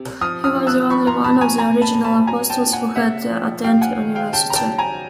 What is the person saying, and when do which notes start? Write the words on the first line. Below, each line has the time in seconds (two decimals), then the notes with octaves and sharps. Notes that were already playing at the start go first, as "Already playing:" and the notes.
He was the only one of the original apostles who had attended university.
Already playing: C3
0.21 F3 D#6 F6
0.44 D#6 F6
0.55 F3
0.67 E6 F#6
0.90 F3 B5 C#6
1.07 A#5 C6
1.24 F3 A5 B5
1.41 G#5 A#5
1.58 A2 G#5 A#5
1.82 A5 B5
1.93 A2
2.04 A5 B5
2.27 F#3 G#5 A#5
2.50 G5 A5
2.62 A#2
2.73 F#5 G#5
2.96 C#3 E5 F#5
3.30 F3
3.64 G3 F5 G5
3.81 F#5 G#5
3.99 D#3
4.15 F5 G5
4.33 C#3 G5 A5
4.50 A#5
4.56 G5 A5
4.67 F#3
4.78 G#5 A#5